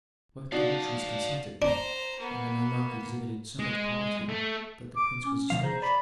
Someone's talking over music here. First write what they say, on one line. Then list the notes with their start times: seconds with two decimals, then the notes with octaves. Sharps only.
Both dignitaries consented, and the nomarch exhibited so much piety that the prince was astonished.
0.52 D4 D#4 F#4 F5 A5
1.62 D4 C5 A#5
2.19 A#3 B3
3.59 G#3
4.29 A3
4.96 D6
5.25 C#4
5.50 C3 F3 F5
5.63 G#4 C5 A#5
5.82 D5 B5